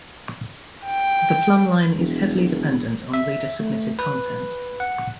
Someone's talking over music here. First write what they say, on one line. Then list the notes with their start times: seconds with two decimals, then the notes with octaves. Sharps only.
The Plumbline is heavily dependent on reader-submitted content.
0.85 G5
1.99 E1
3.14 E5
3.60 A3
3.99 B4
4.80 F#5